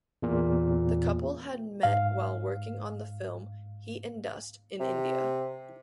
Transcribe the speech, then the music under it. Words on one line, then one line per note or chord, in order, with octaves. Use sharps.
The couple had met while working on the film "Heat and Dust" in India.
E2 A#2
G#2 F5
C3